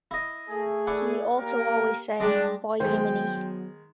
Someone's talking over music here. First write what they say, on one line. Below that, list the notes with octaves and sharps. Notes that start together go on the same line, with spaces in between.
He also always says 'By Yiminy!'.
E4 D#5
A3 G#4
E4 D5 F#5
A#3 G4 A#4
G3 G#3 D4
D#3 F#3 G#3 B3 C5 G5